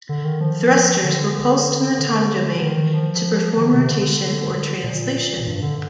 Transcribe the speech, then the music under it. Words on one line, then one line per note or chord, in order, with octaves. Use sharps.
Thrusters were pulsed in the time domain to perform rotation or translation.
D3
D#3
F3
D3
D3
D#3
F3
D#3
C3
D3
A#2
G2
D3